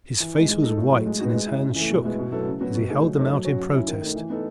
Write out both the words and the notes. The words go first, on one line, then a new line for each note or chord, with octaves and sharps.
His face was white and his hands shook as he held them out in protest.
E3
G#3 D#4
G#3
D#4 A4
A2
F#3 A3
G#3
B3 D#4 F#4
G#3
C#4 E4
C#3
E3 A3
B2
G#3 B3 E4
B2
F#3 B3 E4 A4
C#3
F#3 B3 F#4
B2
A3 D#4 G#4
F#3
A3 D#4 A4 C#5
F#3
C#4 F#4 C#5
F#3
C#4 E4
D#3
A3 D#4
E3
B3 D#4 A4